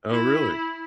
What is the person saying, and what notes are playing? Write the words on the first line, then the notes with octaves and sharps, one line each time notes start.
Oh, really?
E4